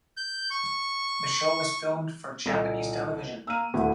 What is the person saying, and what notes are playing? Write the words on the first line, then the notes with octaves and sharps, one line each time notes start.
The show was filmed for Japanese television.
G6
C#6
C2 A#2 A4 D#5
A#3 E6 F6 D#7
D#1 D2 D3 E4